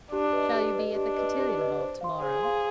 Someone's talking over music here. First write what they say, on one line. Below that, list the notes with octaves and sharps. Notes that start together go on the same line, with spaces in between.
"Shall you be at the cotillion ball tomorrow?"
D4 G4
B4 D#5
G4
B4 D#5
D4 G4
B4 D#5
G4
B4 D#5
C5
F5 C6
G#4 C5
F5 C6